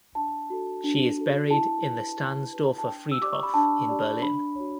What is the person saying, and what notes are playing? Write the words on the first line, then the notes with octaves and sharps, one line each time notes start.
She is buried in the Stahnsdorfer Friedhof in Berlin.
D4 A5
F#4 A4
D4
F#4 A4
E4 A5
G4 B4
E4
G4 B4
A5
D4 G5
E6
G4 D5 D6
C#6
B5
D4 A5
G4 D5
D4 B5
F#4 C#5